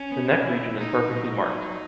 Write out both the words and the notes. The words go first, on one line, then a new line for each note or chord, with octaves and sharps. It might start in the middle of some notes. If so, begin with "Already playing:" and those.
The neck region is perfectly marked.
Already playing: C#4
B3
E4
A#2 D#4
F#3
F#3 D#4